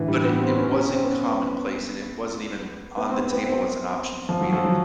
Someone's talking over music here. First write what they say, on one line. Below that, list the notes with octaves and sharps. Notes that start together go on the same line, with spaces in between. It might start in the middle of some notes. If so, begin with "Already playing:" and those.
but it it wasn't commonplace and it wasn't even on the table as an option for me to
Already playing: A2 D3 E3
G3
B3
C4
C#4
C#4
C4
B3
B3
C4
C4
B3
C4
F3
F#3
F3
F#3